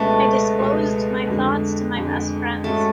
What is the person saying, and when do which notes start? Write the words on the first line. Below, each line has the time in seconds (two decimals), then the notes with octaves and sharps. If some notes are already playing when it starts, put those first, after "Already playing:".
I disclosed my thoughts to my best friends.
Already playing: C#2 B2 G#3 A3 B3
0.59 C#2 B2 G#3 B3
1.27 F2 D3 G#3
1.96 F2 D3 G#3
2.64 G#2 G#3 A3 C#4 F#4 A4